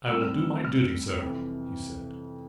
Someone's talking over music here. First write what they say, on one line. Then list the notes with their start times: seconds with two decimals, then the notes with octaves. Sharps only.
"I will do my duty, sir," he said.
0.08 A2 G3 C4 E6
0.22 F6
0.37 E6
0.65 F6
1.22 F2 C3 E3